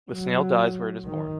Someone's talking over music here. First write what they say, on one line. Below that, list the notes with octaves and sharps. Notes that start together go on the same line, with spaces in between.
The snail dies where it is born.
F#3
D#3